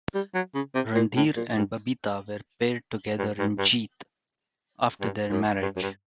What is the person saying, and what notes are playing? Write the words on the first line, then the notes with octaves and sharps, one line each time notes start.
Randhir and Babita were paired together in Jeet, after their marriage.
G3
F#3
C#3
C3
A#2
A2
A#2
G2
G2
G2
G2
G2
F#2
G2
F#2
G2